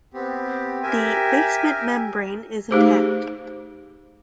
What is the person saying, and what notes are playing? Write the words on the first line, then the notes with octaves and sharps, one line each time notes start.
The basement membrane is intact.
B3 C4 G4
G4 A#4 E5 G#5
A3 D#4 G4 G#4 C5